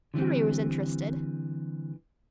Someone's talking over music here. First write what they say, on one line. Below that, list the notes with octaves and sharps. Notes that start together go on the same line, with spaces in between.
Henry was interested.
D3 E3 G3 C4